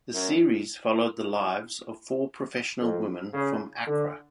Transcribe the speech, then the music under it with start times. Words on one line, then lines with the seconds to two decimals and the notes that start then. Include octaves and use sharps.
The series followed the lives of four professional women from Accra.
0.13 F#2
2.80 F2
3.33 C#3
3.87 D3